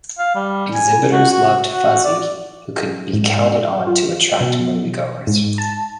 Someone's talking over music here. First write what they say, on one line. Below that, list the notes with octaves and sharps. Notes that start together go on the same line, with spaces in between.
Exhibitors loved Fuzzy, who could be counted on to attract moviegoers.
F5
G3
G#5
F#4
F#4
F#4
D5
G#2
F4
B2
G#2
A5